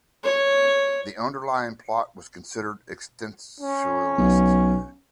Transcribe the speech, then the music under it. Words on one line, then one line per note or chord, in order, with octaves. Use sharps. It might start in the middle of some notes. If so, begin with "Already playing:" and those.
The underlying plot was considered existentialist.
C#5
C#4
B1